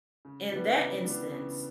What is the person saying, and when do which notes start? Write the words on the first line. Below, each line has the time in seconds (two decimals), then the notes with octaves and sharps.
in that instance,
0.25 C#3
0.51 E3 G3 B3 D4
0.77 C#3
1.05 E3 G3 B3 D4
1.31 C#3